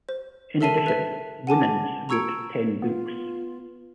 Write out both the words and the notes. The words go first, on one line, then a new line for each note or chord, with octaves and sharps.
In addition, Winans wrote ten books.
C5
A4 A#4 E5 A5 C7 D#7
B4 E5
F#5 G#5 A5 D6
A#5 C#6 E6 G#6 C#7 D7
B3 F4